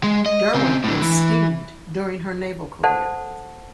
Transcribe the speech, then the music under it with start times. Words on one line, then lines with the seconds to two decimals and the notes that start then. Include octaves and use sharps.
"Derwent" had steamed during her naval career.
0.04 G#3
0.26 D#5
0.54 C#3 C4
0.84 A2 D3
1.02 E3
2.83 A4 C5 F#5 A5